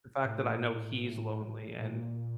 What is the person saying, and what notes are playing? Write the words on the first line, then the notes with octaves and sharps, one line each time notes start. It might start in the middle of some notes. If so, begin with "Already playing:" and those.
the fact that I know he's lonely and
A2
A#2